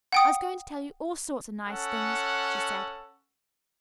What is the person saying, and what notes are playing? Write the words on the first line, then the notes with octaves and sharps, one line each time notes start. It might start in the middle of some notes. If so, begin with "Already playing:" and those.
"I was going to tell you all sorts of nice things," she said.
F#5 G5 D#6
C#4 A4 F#5